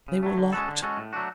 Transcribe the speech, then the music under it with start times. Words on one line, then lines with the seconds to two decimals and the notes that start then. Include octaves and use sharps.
They were locked!
0.08 C#3
0.23 F#3 A3
0.38 D3
0.53 G#3 C#4 F#4 A4
0.68 D3
0.82 G#3 C#4 F#4 A4
0.97 A2
1.13 F#3 A3 D4 F#4